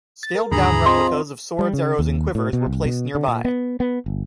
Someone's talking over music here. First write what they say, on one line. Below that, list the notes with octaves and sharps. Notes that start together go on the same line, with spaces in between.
Scaled-down replicas of swords, arrows and quivers were placed nearby.
A6
A#4
D#2 G#2 D3 G#4 A#5 B5
C4 F4 D#5 C6
G3
C#3
D#2
A2
B2
C2
B2
D3
A#2
B3
B3
G1